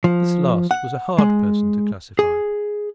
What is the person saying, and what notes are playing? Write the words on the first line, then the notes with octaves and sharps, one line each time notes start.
This last was a hard person to classify.
F3
F#5
G#3
G#4